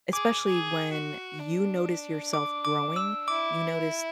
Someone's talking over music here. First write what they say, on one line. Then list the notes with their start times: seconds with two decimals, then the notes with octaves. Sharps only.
especially when, you notice yourself growing, you notice,
0.13 G#4 D6
0.45 G#4
0.92 F#4
1.39 D4
2.33 D6
2.65 D6
2.96 E6
3.28 E4 D6